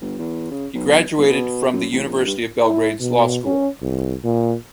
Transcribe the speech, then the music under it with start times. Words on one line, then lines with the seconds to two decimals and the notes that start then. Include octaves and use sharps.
He graduated from the University of Belgrade's Law School.
0.01 G1
0.19 E2
0.51 C#3
0.75 B1
1.17 G1
1.29 B2
1.73 F#2
1.92 A1
2.06 A#1
2.26 G2
2.66 E4
3.00 B2
3.46 C#4
3.82 C2
4.24 A#2